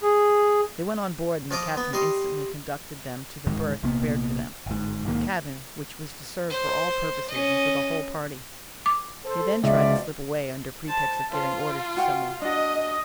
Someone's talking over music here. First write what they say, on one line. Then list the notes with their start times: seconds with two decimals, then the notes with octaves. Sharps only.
They went on board and the captain instantly conducted them to the berth prepared for them--a cabin which was to serve for all purposes and for the whole party; he then tried to slip away under pretext of giving orders to some one.
0.03 G#4
1.51 F3 F4 D#5 D6
1.77 B3
1.93 G3 D#5 C6
3.47 D1 G#2 D#3 G#3
3.83 A#1 C3 A#3 B3
4.66 G1 G#2
5.05 B1 G#2 D#3 A#3
6.50 C5
7.29 C#4 D#5
8.86 D6
9.24 A4 C5
9.64 C#2 B2 F3 D5 E5
10.89 C5 A5
11.31 F4 B4 C5 A5
11.97 F#4 F#5 G5
12.42 D4 F#4 D#5